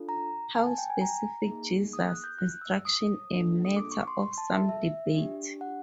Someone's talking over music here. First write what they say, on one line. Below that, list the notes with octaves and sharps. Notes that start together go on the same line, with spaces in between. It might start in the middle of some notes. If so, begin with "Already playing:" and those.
How specific Jesus' instruction a matter of some debate.
Already playing: D4 F4 A4
A#5
A5
G#5
G5
G#5
A#5
A#3 D#4 G#4
D#6
F#6
G6
F#6
E6
D#6
A#3 D4 F4 A4
D#6
D6
C#6
C6
C6
A5
E5
E5
D4 G4
F#5